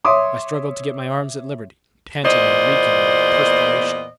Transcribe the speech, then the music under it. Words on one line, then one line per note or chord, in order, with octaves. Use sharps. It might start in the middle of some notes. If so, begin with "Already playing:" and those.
I struggled to get my arms at liberty, panting and reeking with perspiration.
C#5 E5 C6 D6 D#6
E2 A#2 B3 C5 D5 D#5